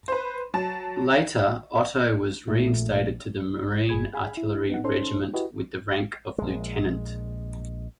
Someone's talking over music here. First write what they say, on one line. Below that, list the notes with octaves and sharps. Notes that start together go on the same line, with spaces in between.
Later Otto was reinstated to the Marine Artillery Regiment with the rank of lieutenant.
B4 C5
F#3 A5
A#1 A#2 A3
G1 G2 G#4 B5 G#6
G#4 F5 G#5 B5
E4
B3 D#4 F#5
C#4 D#4 A4 C5 C6
E4 F#4 G4 B4 D#5
A#1 G#3